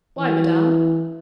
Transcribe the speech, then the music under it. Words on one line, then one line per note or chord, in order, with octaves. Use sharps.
"Why, madame?"
E3